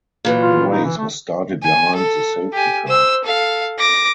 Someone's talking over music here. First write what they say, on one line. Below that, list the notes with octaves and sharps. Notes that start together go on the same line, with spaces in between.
The race was started behind the safety car.
A#2 E3 F#3
F4
D#4
E3
A3
G#5
A4
G4 G#5
C5 E6
A4 F5
D6 A#6